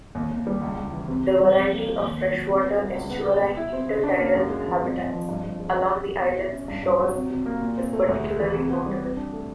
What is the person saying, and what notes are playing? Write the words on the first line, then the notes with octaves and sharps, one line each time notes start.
The variety of freshwater estuarine intertidal habitats along the island's shores is particularly notable.
D#2
D#2
G3
C#2
C#2
E3
C3
C3
G3
F2
A#3
F3
D#2
B3
F#3
C2
B3
G3
C#2
B3
G#3
B2
E4
C4
C#3
D4
A#3
F#2
G#3
F3
F2
F2
F3
G2
G2
G#3
F#2
F#2
F#3
B2
E4
C#4
G2
G2
F#3
C3
C3
A#3
A#2
C4
A3
D2
G#3
E3
C3
B3
G3
C3
D4
A3